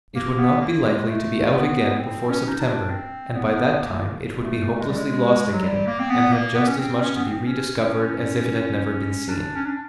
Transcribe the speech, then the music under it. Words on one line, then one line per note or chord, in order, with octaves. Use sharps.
It would not be likely to be out again before September, and by that time it would be hopelessly lost again, and have just as much to be rediscovered as if it had never been seen.
A#3
B3
A#3
G#3
G#3
A3
B3
C4
C#4
D#4
D4
C4
B3
A#3
A3
A#3
A3
A3
G#3
G3
G#3
F#3
G3
A#3
C4
B3
A#3
B3
C#4
C4
C4
C#4
B3
C4
C#4
D4
C#4
D4